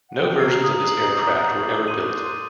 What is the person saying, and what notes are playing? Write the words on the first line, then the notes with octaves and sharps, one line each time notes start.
No versions of this aircraft were ever built.
F#5
G5
A5
A#5 C7
D#6
F#7
G6
A6
D6
A5
A#5
C6 D#7
F#6